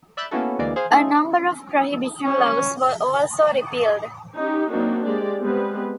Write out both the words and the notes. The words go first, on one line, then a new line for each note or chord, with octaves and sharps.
A number of prohibition laws were also repealed.
D5 E5 B5 F#6 G6 A6
A#3 B3 C#4 E4 F#4 A4
D2 E3 G#3 A#3 D5
G#4 C5 F5
A3 D#4 F4 G#4 A4
C#4
C#4 D#4 G4
F#3 A#3 C4 D4 D#4 F#4
G#3 A#3 G4 D5
G3 G#3 B3 C4 B4